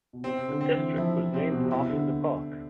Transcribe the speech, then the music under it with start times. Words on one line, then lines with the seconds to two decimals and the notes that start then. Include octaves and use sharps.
The district was named after the park.
0.13 B2
0.24 C3 C4
0.48 D3
0.61 C4
0.73 E3
0.97 F3 E4
1.15 C3
1.33 C3 C4
1.52 B2
1.63 C3
1.70 B2 E4
1.89 D3